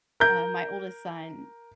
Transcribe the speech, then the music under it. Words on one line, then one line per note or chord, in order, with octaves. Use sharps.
uh, my oldest son
A#4 G6